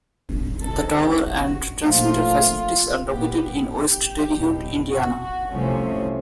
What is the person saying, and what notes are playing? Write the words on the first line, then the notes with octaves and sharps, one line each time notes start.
The tower and transmitter facilities are located in West Terre Haute, Indiana.
C#2 C3 D#3 G#3 A4
G4
F#4
A#2 F3 A3 F4
A#2 G3 B3 G4
G4
E2 B2 F#3
F#4
F#4
C2 C3 F3 A3 C#4